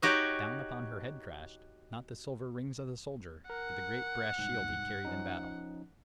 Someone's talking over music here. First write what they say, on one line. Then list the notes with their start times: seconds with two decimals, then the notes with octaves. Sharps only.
Down upon her head crashed--not the silver rings of the soldier, but the great brass shield he carried in battle!
0.02 D#4 F#4 G4 C#5
3.50 A#4 F#5
4.38 C2 G#2
5.05 F3 C#4 D#4